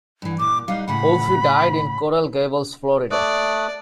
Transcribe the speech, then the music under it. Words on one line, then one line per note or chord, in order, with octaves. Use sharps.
Wolfe died in Coral Gables, Florida.
G2 E3
A#2 D6
G3 D#4 F5
A2 C#3 F#5 B5
A3 D5 D#6 F#6